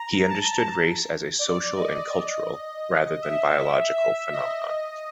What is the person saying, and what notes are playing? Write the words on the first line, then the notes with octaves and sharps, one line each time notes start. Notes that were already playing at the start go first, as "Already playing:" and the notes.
He understood race as a social and cultural, rather than a biological phenomenon.
Already playing: A#5
A5
D5
D#5
E5
E5
E5
D#5